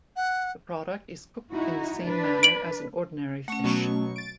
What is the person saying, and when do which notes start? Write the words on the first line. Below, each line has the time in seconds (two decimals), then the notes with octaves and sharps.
The product is cooked in the same manner as an ordinary fish.
0.16 F#5
1.51 D#4 E4 F#4
2.03 D4 B4
2.43 D7 F#7
3.48 A3 C#4 F#5 C#6
3.64 B2 F#3 C#6
4.16 A6 D7